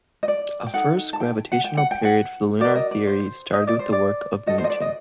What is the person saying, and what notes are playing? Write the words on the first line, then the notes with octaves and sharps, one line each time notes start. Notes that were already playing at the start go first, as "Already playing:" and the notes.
A first gravitational period for lunar theory started with the work of Newton.
D#5
D5
G5
D#4 A4 F#5
A5
G5
F#5
G5
F#5
G5
F#5
F#4 A#4 D5
D#5
D5
C5
D#5
D5
C5
D5
F#4 A4 D#5
C5
D#5
D5
D#5